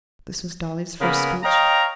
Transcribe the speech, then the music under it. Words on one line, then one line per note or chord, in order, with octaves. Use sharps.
This was Dolly's first speech.
C#3 A#3 B3 G#4 A#4 B5
C#5 D#5 F5 G5 A#5